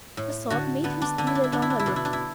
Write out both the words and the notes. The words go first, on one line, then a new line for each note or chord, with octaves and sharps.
The thought made him steal a longer look.
A2
D3 F#4
D3 B3
D4
D3 D4
E4
D4
E4
D3 D4
E4
D4
E4
B2 D4
E4
D4
E4